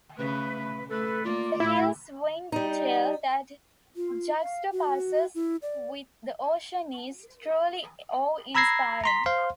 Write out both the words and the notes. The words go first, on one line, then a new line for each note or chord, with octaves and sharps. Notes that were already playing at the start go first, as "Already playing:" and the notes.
The hill's winding trail that juxtaposes with the ocean is truly awe-inspiring.
C#3 A3 B4
A3 A4 B4
A#3 F4 D5
A2 E4
G3 D#4
F4
F5
F#4
E4
D5
A#5 B5 E6 G#6 A#6 C7
A#5 C6 B6
C5 F5 C6